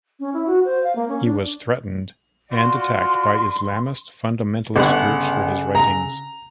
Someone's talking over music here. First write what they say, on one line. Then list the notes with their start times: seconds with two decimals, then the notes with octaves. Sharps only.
He was threatened and attacked by Islamist fundamentalist groups for his writings.
0.20 C#4
0.34 E4
0.47 F#4
0.65 C5
0.84 F5
0.96 A#3
1.09 C#4
1.23 D4
2.52 F4 F#4 D5 C6
4.76 G1 C#3 A4 F#5
5.75 A#5